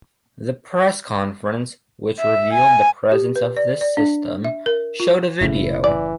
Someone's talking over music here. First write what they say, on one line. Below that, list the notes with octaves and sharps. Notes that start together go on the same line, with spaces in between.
The press conference, which revealed the presence of this system, showed a video.
E5
G#5
G4
B4
D5
D5
D4
E5
A#4
F4
F#1 A2 C#3 E4
E3 D5